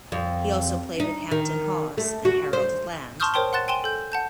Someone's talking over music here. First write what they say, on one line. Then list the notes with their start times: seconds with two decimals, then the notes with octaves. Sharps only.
He also played with Hampton Hawes and Harold Land.
0.12 F2
1.00 D#4
1.31 D#3
1.97 A3
2.25 F#4
2.53 C5
3.20 A5 C6 C#6 D#6 F6 G6
3.34 A#4 C5 C#5 G5 A5 C6
3.53 F#5 C6 F#6 A6 E7
3.68 G5 G#5 C6 E7 G7
3.84 A4 G6
4.12 F#5 A5 G6